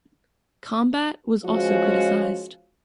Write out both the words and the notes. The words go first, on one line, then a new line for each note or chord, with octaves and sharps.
Combat was also criticized.
F3 G#3 C#4 F4 F#4